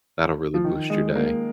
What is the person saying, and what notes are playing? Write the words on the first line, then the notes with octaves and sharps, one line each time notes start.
That'll really boost your day.
F3
D#3
G#3
A#3